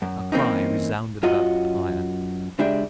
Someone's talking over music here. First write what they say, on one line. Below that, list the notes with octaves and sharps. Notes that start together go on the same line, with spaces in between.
A cry resounded about the pyre.
F#2
E3 A#3 C4 C#4 D#4
F#2 F4 F#4 D#5
C#2 G#3 D4 G4 E5